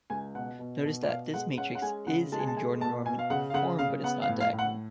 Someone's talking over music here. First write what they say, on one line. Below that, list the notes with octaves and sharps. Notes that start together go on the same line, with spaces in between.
Notice that this matrix is in Jordan normal form but is not diagonal.
C#2 G#5
B2 F#5
B2
B2
D5
B2 F5
G#3 F#5
C#4 F#5
F#5
G#3 G#5
C#3 F#5
G#3 A5
G#5
A5
A3 G#5
B2 A5
B2 G#5
F5
C#3 F#5
F5
C#3 F#5
C#3 F5
B3 F#5
F5
A2
F5
A2
F#5